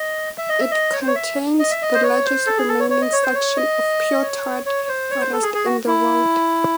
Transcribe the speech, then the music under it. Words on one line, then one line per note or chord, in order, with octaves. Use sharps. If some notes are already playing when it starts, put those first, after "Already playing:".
It contains the largest remaining section of pure tuart forest in the world.
Already playing: D#5
E5
D#5
E5
D#5
C#5
C5
C#5
E5
D#5
E5
D#5
C5
C#5
C5
A4
G#4
A4
C#5
C#5
D#5
C#5
C5
C#5
D#5
C#5
C#5
C5
C#5
C5
A4
G#4
G#4
F#4
E4